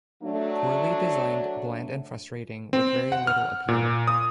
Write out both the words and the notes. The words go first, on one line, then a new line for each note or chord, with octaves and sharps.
Poorly designed, bland and frustrating, with very little appeal.
F#3 A3 D4
C4
F#5
F6
A#2
D#6